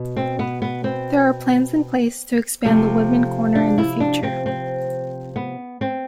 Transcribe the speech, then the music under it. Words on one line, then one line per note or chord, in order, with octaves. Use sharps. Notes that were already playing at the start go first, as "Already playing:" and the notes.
There are plans in place to expand the Woodman corner in the future.
Already playing: B2
C4
B3
B3
C4
C3 F3 A3
D4
E4
D4
C4
C4
B3
C4